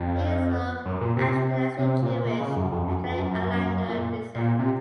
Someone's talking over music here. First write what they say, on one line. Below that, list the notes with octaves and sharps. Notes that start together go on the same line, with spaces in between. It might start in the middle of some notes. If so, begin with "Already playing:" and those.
He is of Ashkenazi Jewish and Canary Islander descent.
Already playing: F2
F#2
A#2
C3
C3
A#2
A#2
C#3
F#2
F2
F#2
F2
F#2
F#2
F#2
F#2
F#2
A#2
A#2
C3